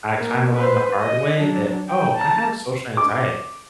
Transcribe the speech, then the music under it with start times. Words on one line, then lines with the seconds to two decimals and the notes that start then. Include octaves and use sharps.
I kinda learned the hard way that, "Oh, I have social anxiety,"
0.19 A#3
0.55 B4 C5
0.98 D#5
1.39 F#3 D4
1.88 G5
2.16 A5 A#5
2.97 D6